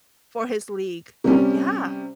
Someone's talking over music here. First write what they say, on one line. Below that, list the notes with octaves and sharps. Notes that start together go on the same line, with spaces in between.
for his league. Yeah.
C3 G3 C#4